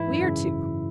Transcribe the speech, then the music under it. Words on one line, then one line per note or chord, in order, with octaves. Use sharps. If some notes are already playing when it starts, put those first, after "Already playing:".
We are two.
Already playing: G#2 E3 E4
F#2
C#3